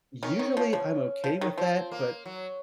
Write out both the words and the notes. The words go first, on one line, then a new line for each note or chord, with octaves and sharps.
Usually I'm okay with that but,
D#3 C#4
D#3
F3
F3
F3
D#3
F3 C4
A#3
F#3